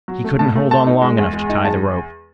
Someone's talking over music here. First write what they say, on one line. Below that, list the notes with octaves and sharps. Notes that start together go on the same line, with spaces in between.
He couldn't hold on long enough to tie the rope....
F#3
A3
A2 A5
A3
A3 A5
D#4
G#3
E2
G#3
D#4
E2 A5